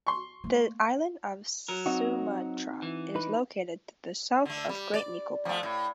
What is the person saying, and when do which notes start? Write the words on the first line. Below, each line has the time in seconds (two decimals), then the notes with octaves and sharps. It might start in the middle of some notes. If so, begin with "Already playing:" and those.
The island of Sumatra is located to the south of Great Nicobar.
0.07 C6 C#6
0.44 A3 A#3
1.68 F#3 A#4
1.86 C4 D#4 F#4
2.82 E3
3.15 D#4 B4
4.46 D3 A3
4.69 G3
4.94 D5
5.45 F3 A3
5.63 A2